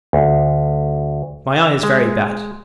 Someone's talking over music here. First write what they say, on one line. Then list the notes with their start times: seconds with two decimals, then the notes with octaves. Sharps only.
My eye is very bad.
0.13 D2
1.83 G#3